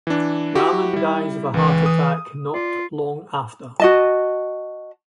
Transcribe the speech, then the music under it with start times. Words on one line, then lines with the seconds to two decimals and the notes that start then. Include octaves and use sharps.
Ramon dies of a heart attack not long after.
0.07 E3 D4
0.55 E4 F#4 G4
0.93 G3 E4
1.54 C#2 E3
1.86 D#6
2.54 F4 D5
3.80 F#4 D#5 A5